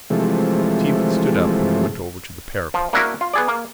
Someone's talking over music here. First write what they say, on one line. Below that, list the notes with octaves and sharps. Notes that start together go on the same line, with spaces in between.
Stephen stood up and went over to the parapet.
C3 E3 F3 G#3 A3
F3
A#3 D4 E4 F#4 A#4
F4
B3 G#4 D5
A#3